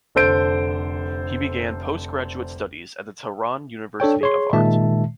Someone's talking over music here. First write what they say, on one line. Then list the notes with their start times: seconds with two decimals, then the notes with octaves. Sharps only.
He began postgraduate studies at the Tehran University of Art.
0.15 F1 D3 A4 C5 G6 D7
4.00 D4 A4 C#5 G5
4.21 G#4 C#5 C6
4.53 A#2 D#3 G#3 E5 A5